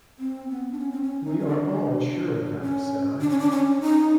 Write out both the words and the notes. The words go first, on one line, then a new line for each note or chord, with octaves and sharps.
"We are all sure of that," said I.
C4
B3
D4
C#4
C4
C#4
D#4
C#4
D4
C#4
D4
C#4
D4
C#4
D#4